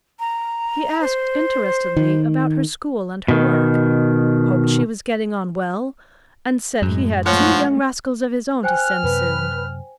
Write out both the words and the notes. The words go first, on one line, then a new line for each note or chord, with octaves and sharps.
He asked interestedly about her school and her work, hoped she was getting on well, and said he had two young rascals of his own to send soon.
A#5
C5
D#3
B2 D#3
F#2 A2 G#3
A#2 F3 G#3 A3 C#5 F#5 C#6
C5 G5 G#5 F6 F#6
F#2 C3 B4